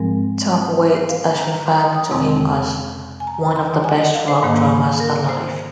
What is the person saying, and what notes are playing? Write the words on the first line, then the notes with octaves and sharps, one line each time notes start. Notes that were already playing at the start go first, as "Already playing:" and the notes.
Tom Waits has referred to him as "one of the best rock drummers alive".
Already playing: G#2 F3 G#3 C4 A#4
C5
F5
G#5
A#5
A#5
C6
D#6
D#6
F2 C3 G#3 C4 C6
G#5
A#5
C6
G#5
D#5
F5
C5
G#2 D#3 A#3
A#4
C5